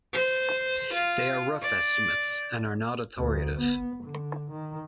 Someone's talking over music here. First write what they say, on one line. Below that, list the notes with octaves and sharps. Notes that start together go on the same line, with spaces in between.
They are rough estimates and are not authoritative.
C5
F4
D5
D2
B3
D3
D#3